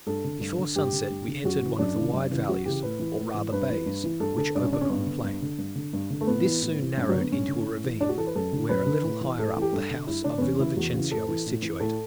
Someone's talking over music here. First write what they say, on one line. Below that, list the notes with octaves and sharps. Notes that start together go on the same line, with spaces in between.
Before sunset we entered one of the wide valleys, or rather bays, which open on the plain: this soon narrowed into a ravine, where a little higher up the house of Villa Vicencio is situated.
G2 A4
D3
G2
D3
G2 G4
D3
G2
D3
F#2 F#4
C#3 E3
F#2 D4
C#3 E3
F#2
C#3 E3
F#2 F#4
C#3 E3 G4
A2 B4
E3
A2
E3
G2 B4
E3
G2
E3
G2 A4
D3 A4
G2 D4
C#4
D3 D4
C#4
G2 B3
D3
G2
D3
G2
D3
G2
D3
A3
A2 B3
E3
A2
E3
G2 C#4
F#3
D3
B3
G2 C#4
D3
A2
E3
A2 D4
F#4
E3 A4
B4
F#2 A4
D3
F#2 B4
D3
A2
E3
A2 A4
E3 G4
G2 A4
D3
G2 E4
D3 D4
B3
E2 C#4
C#3 E3 E4
E2 F#4
C#3 E3
A2 A4
E3
A2
E3
A2 A4